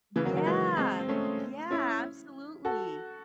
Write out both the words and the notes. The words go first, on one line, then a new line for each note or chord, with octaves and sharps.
Yeah, yeah, absolutely.
C#3 E3
D#3 F#3
D#3 F#3
E3 G#3
G#3 C4
C4
A3 C#4
C#4 E4
F#4 A4